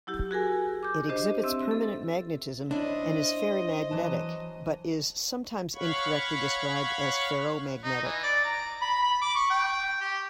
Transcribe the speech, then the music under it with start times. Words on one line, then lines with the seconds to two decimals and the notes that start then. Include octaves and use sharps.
It exhibits permanent magnetism and is ferrimagnetic, but is sometimes incorrectly described as ferromagnetic.
0.07 F#3 E4 G4
0.31 F#4 G#4 A#4 G#5
0.83 D6 G6
1.09 D4 G4 C5 D#5
1.44 C4 E5 E6
1.71 A4
2.71 D4 E4 C5 C#5 D#5
3.91 E3 F#3 A5
5.75 C#5 F5 F#5 B5 C#6
7.84 D#4
8.04 E3
8.23 D5
8.45 A#5
8.82 B5
9.02 B5
9.22 D6
9.36 C#6
9.50 G5
10.01 G4